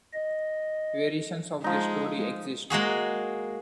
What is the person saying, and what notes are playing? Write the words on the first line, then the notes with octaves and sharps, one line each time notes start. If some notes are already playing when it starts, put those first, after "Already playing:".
Variations of this story exist.
D#5
F3 G#3 D#4
G#3 A#3 F#4 G#4